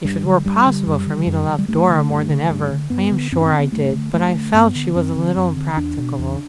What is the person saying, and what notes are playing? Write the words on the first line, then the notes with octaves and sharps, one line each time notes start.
If it were possible for me to love Dora more than ever, I am sure I did. But I felt she was a little impracticable.
G2 G3
D3
G2 G3
D3
F#2
D3
F#2
D3
G3
G2 A3
D3
G2
D3
G2
D3
G2 B3
D3
G2 C4
D4
C4
D3
B3
G2 A3
D3
G2 A3
D3
G2 B3
D3
F#2 C4
D3
F#2
D3
E2 D4
B2
E2